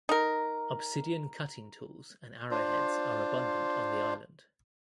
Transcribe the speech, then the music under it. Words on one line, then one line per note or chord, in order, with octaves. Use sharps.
Obsidian cutting tools and arrowheads are abundant on the island.
D#4 A#4
D4 F4 C5